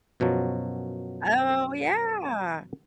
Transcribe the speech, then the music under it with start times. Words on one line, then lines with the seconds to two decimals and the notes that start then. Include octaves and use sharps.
Oh, yeah.
0.20 F#2 B2 F3 F#3